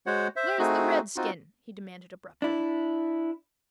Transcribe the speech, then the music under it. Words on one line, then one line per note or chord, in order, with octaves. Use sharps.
"Where is the redskin?" he demanded abruptly.
G#3 F#4 C5 C#5 F#5
C5 E5
A3 C4 D#4 F#4 G#4
C4 D#4 F4 F#4
D4 E4